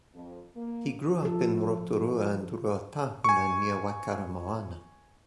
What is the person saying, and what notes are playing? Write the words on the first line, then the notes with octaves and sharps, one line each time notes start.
He grew up in Rotorua and in Ruatahuna near Waikaremoana.
F2
A#3
F3 A4
G#5 C#6